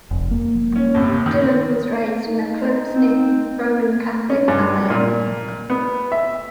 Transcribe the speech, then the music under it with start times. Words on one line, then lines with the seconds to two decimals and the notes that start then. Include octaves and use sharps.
Dillon was raised in a close-knit Roman Catholic family.
0.11 F1
0.31 A#3
0.76 C#4
0.94 D#2 A2 C3
1.26 D#3
2.27 D#4
2.92 C4
4.30 C#4
4.48 G2
4.90 A#2
5.70 B3
6.12 E5